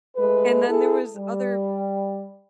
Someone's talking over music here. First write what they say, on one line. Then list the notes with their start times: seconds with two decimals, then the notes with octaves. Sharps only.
and then there was other
0.17 G#3 A3 B4
0.67 E4 G#4 A4
1.16 G3